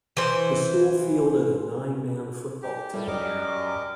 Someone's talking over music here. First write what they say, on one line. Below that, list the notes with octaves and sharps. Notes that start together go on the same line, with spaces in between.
The school fielded a nine-man football team.
E3 C5
G4
A2 G3
F#2 G3 A#4 D#5 D6